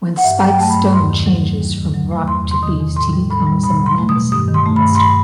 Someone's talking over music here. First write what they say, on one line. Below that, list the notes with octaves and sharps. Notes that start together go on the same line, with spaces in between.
When Spike Stone changes from rock to beast, he becomes a menacing monster!
F#5
G2 E5
F#3
G5
A3 A5
B5
G2
E2 C6
D#3
F#3
A3
D#2
D#3
F#3
A3
E2 C6
C3
C6
D#3 D#6
E2
A2 C6
G3
A2 B5
G3
B2 B5
F#3 C6
A3
D#6
B2
G2 D#6
D#3
C6
A3
B5
G2
C6
B5